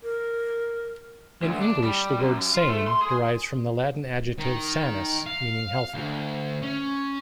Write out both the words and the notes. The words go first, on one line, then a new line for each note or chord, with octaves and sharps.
In English, the word "sane" derives from the Latin adjective "sanus" meaning "healthy".
A#4
D2
D4
G3
F#2
F4
A3
C6
G#4
D#3
F5
D2
C#4